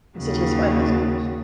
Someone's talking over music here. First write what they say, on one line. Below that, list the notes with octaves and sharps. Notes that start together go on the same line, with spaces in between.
The city has five high schools.
D#2 C#3 F#3